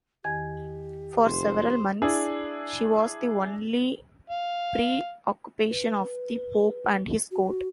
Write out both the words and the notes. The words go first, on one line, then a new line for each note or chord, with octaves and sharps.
For several months, she was the only preoccupation of the Pope and his court.
E2 D#3 G4 G#6
F1 C5
D4 E4 G#4
F5
B4
F#4